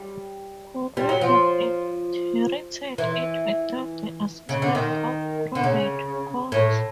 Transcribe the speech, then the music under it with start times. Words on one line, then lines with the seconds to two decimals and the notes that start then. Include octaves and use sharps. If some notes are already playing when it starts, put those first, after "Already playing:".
Could we have inherited it without the assistance of probate courts?
Already playing: G3
0.97 G3
1.09 F#3
1.21 F3
2.98 E3
4.49 C#3
4.62 D3
4.75 D#3
5.55 D3
5.64 C#3
6.52 A2